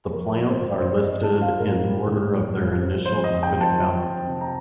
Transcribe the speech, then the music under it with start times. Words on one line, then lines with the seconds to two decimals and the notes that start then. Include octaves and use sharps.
The plants are listed in order of their initial criticality.
0.13 F3 A#4
0.38 F3
0.50 C5
0.62 G2
0.79 C5
0.86 C4 D5
1.04 D#5
1.11 C4
1.23 A5
1.35 F4
1.42 F5
1.60 A2 A#4
1.84 G3
2.08 A2
2.33 G3
2.57 G3
2.81 C4
3.05 F3 C5
3.24 D#5
3.30 F2
3.43 G5
3.54 F3
3.61 A5
3.79 F3
4.04 C4
4.27 C3
4.41 A#5